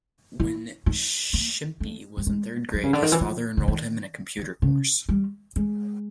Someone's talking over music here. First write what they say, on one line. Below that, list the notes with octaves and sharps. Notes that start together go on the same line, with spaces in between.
When Shimpi was in third grade, his father enrolled him in a computer course.
E4
D#4
A#3
A3
G3
G#3
F#3
C#3
D3
D#3
E3
F3
D3
D#3
C#3
G3
G#3